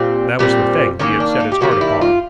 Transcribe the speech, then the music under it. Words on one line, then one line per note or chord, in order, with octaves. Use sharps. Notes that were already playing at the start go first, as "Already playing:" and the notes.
That was the thing he had set his heart upon.
Already playing: A#2 G3 C4
A#2 G3 C4
D#3 G3 A#3 C#4
D4
D#4
G4
D#3 G3 A#3 F#4
F4
E4
F4